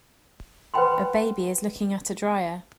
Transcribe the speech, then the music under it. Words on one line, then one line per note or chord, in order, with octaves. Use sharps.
A baby is looking at a dryer.
B4 C5 F#5 G5 B5 C6